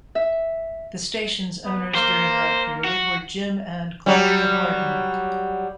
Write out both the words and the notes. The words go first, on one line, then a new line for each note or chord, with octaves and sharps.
The station's owners during that period were Jim and Claudia Harden.
E5
B3
A#3 C5
F#4
F#3 G3